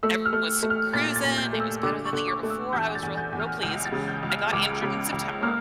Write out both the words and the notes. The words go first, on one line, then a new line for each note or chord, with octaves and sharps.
and it was cruising, it was better than the year before. I was real real pleased. I got injured in September,
A3 E6
F6
A3
A3
F6
A#2 A6
A6
A#2
G6
A3
E6
D3 D6
C#6
D3
D6
A3
E6
E2 G6
A6
E2
G6
E2
F6
C#2 G6
A6
C#3
G6
C#2
F6
C#2 D6
C#3
C#2
A#3 F6